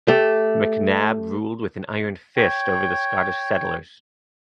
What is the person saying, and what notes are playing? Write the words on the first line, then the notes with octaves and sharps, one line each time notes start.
McNab ruled with an iron fist over the Scottish settlers.
A3 G4
C#5 G5